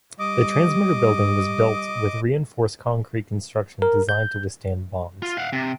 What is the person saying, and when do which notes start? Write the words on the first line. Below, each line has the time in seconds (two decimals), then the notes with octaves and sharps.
The transmitter building was built with reinforced concrete construction designed to withstand bombs.
0.19 G3 D#5 D6 D#6
3.82 A#4
4.09 G6
5.22 F4
5.37 F5 F#5
5.53 C3